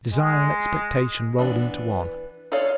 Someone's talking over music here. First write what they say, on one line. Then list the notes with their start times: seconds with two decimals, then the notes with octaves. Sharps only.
Desire and expectation rolled into one.
0.12 G#3
1.38 E3 B3 D4
2.52 D#4 A4 C#5 D5 F5